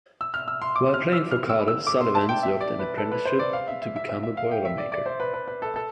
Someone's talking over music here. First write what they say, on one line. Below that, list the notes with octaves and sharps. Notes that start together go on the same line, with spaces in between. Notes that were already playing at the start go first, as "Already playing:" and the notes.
While playing for Cardiff, Sullivan served an apprenticeship to become a boilermaker.
E6
F6
E6
C6
D6
F6
E6
F6
E6
E6
D6
C6
A5
G5
E5
D5
B4
A4
B4
C5
D5
F5
E5
E5
E5
E5
E5
F5
G5
E5
D5
D5
C5
B4
B4
B4
A4
A4